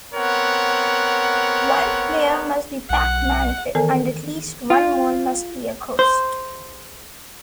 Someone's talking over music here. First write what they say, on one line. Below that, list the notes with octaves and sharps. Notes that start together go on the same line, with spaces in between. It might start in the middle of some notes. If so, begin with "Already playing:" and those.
One player must be Pac-Man, and at least one more must be a Ghost.
B3 C4 A#4 C#5 F#5
B1 F#5
D#3 E3 B3 A4 A#4 G#5
F4
C5